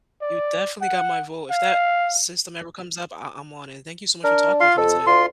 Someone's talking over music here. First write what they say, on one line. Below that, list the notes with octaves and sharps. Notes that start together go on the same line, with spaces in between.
You definitely got my vote. If that system ever comes up, I I'm on it, thank you so much for talking with me today.
D5
F#5
F5
D4 A#4
F4 F5 C6
F2 A4
D2 F4 C6